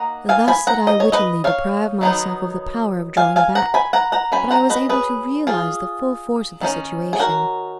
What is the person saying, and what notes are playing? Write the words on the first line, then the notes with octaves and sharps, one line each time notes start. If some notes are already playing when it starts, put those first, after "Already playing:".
Thus did I wittingly deprive myself of the power of drawing back, but I was able to realize the full force of the situation.
Already playing: A#3 D#4 F#5 A#5
F5 G#5
G#5 B5
F#5 A#5
D#5
C#5
B4 D#5
C#5 F5
D#3 F#3 B3 D#4
F5 G#5
F5 G#5
F#5 A#5
G#5 B5
F#5 A#5
F#5 A#5
F#3 C#4 G#5 B5
F#5 A#5
B4 D#5
G#4 B4
F4 G#4
D#3 A#3 C#4
G#4
F#4 A#4